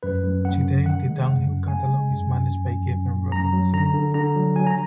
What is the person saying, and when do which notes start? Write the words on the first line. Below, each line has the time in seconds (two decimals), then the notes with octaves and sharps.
Today, the Dunhill catalogue is managed by Geffen Records.
0.03 F#2 B4
0.23 F#2
0.44 F#2 F#5
0.65 F#2
0.85 D#3 F#5
1.06 G#3
1.26 F#2 F#5
1.47 F#2
1.68 G#3 G#5
1.89 G#3
2.09 F#2
2.29 F#2
2.50 F#2
2.70 F#2
2.91 F#2
3.12 F#2
3.32 F#2 A#5
3.53 F#3
3.73 D3 A#5
3.94 D3
4.14 D3 A#5
4.36 F#3
4.55 F#3 G#5
4.67 A#5